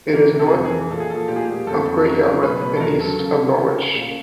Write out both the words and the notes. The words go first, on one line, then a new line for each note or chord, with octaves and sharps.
It is north of Great Yarmouth and east of Norwich.
E3 A#4
C3
A4
G#4
F2 A4
G#4
E3
A#2 A4
G#4
F3 A4
A#2 G4
G#4
A#2 G4
F2 A4
F2
C#3 A#4
F#3
B2 B4
B2 B4
A4
E2 A#4
F#3 A4
C#3
C#3
C#3
C#3
A#2